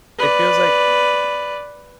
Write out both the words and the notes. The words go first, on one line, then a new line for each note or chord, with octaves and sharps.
It feels like
B4 D5